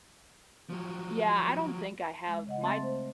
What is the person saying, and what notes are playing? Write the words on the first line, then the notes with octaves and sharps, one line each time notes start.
m Yeah, I don't think I have. My
F3 F#3
G#3
C#3 D#5 F#5
A3 C4 E5 A5 C6 A6
C5